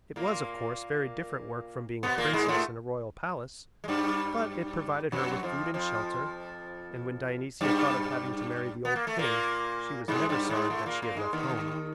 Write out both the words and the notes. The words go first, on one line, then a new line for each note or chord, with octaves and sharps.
It was, of course, very different work from being a princess in a royal palace but it provided her with food and shelter, and when Dionysia thought of having to marry the old king she was never sorry that she had left home.
A#2 A#3
B2 B3
A#2 A#3
G#2 G#3
A2 A3
G#3
G2 G3
F#2 F#3
F2 F3
F2 F3
G2 G3
B3
A#3
A3
A#2 A#3
G#2 G#3
G2 G3
G#2 G#3
A2 A3
A#2 A#3
A#2 A#3
G#2 G#3
D#2 D#3